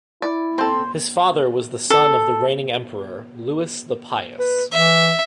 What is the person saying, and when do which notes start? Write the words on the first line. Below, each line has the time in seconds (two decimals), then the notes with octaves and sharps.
His father was the son of the reigning Emperor, Louis the Pious.
0.22 E4 D5
0.58 C4 A4 C5 C6
1.90 A4
4.39 B4
4.73 E3 E5